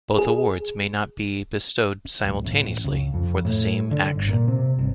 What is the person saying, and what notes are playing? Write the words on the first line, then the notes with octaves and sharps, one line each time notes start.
Both awards may not be bestowed simultaneously for the same action.
G#4
D1
A1
C#2
F2
A2
D3
G1
A#2
C3
G1